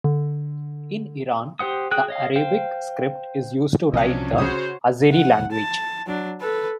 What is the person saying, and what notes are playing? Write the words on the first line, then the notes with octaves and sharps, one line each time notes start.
In Iran, the Arabic script is used to write the Azeri language.
D3
G4 C5 F#5 D#6
F#4 G#4 G5 F#6
C#5 D#5 F5
C5 F5 G5
C2 C3 F3 F#3 C#4 D4 D#5 F5
C#3 F#4 C5 C#5 D#6
F#5
A5
F#3 D4
A4 B4